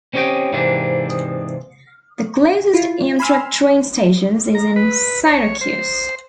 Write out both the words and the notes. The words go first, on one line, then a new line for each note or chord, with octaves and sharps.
The closest Amtrak train station is in Syracuse.
C4 C#4 G4 C#5 D#5 G5
G#2 C3 E3 A#3 C4 D4
E4 F4
G#5 B5 C6 E6 F6
A#5
B4
C#5
C5